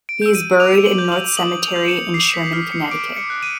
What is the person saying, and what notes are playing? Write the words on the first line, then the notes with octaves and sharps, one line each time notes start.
He is buried in North Cemetery in Sherman, Connecticut.
D7
E6 G6
D#7
D6 F7
F#7
G6
F#7
D#6 F#7
F7
G6
C#7
D6 C7
B6
F6 C7
C#7
D6 D7
C#7
F#6
D#7